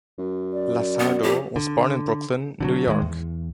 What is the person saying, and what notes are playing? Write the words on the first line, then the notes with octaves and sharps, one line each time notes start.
LaSardo was born in Brooklyn, New York.
F#2
D5
B3
F2 G4
D3
D3 E3 F#3
A2 D#3 G3 G#3
E2